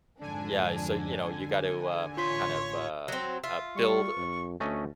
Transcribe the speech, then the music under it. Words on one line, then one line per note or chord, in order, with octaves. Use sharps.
yeah, eh, so, you know, you got to kind of um, uh, build
F2 G#2 D3 D4 G#5
A1 F4 C#5 C6 B6
F#3 C4
F4 E5
G3 C#6
F2
D2 A3 C#4 D#5